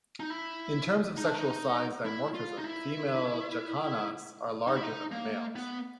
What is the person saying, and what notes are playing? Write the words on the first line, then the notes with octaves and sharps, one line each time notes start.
In terms of sexual size dimorphism, female jacanas are larger than the males.
D#4
E4
D#4
D4
D#4
E4
F4
D#4
E4
D#4
E4
D#4
A#3
B3